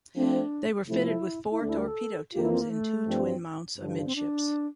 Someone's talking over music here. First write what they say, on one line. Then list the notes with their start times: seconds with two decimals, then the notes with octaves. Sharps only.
They were fitted with four torpedo tubes in two twin mounts amidships.
0.15 F3 A3 C4 D4
0.88 C3 F3 A3 E4
1.51 E4
1.60 D2 D3 A3 D4
1.69 E4
1.79 A#4
1.88 A4
2.34 F2 E3 A#3 F4 G4
2.43 E4
2.52 C4
2.61 A#3
2.70 A3
3.07 G2 F3 C4 G4
3.79 G2 D3 F3
4.06 C4
4.16 D4